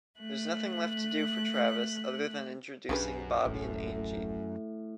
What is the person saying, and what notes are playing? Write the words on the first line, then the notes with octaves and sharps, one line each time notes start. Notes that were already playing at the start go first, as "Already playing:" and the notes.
There’s nothing left to do for Travis other than introducing Bobby and Angie.
A3 F#6
B1 F#2 C#3 D4 G4 B4
D#1 A1 A2